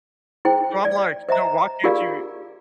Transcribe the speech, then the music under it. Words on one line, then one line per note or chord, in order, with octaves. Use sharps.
So I'm like, you know, why can't you
E4 G#4 C5 G5
D5
C5 D#5 E5 A#5
F4 G4 G#4 A#4 D5 F5